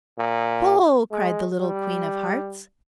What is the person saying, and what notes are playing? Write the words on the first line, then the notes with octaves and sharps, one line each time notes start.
"Pull!" cried the little Queen of Hearts.
A#2
G#3
G3